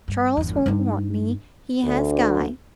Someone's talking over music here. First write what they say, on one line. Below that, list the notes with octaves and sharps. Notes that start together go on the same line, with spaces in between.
Charles won't want me, he has Guy.
G2
G1 E2
G2 D#4
D2